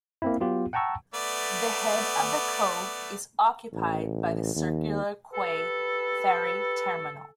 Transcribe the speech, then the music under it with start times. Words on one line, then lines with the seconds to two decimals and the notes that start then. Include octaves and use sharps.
The head of the cove is occupied by the Circular Quay ferry terminal.
0.22 A#3 C4 E4
0.40 F#3 B3 F4 G4
0.73 F#5 G5 A5 A#5 C#6 E6
1.14 A3 B3 D5
3.73 A1
4.55 D#2
5.34 G4 A4 B4